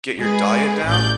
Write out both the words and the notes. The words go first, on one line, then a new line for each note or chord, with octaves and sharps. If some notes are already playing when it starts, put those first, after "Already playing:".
get your diet down
G#3 G#4 B4
A1 D5 G6